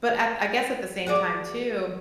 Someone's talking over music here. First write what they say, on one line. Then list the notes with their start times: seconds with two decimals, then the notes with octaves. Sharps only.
but I I guess at the same time too,
1.06 F#4 G#4 D5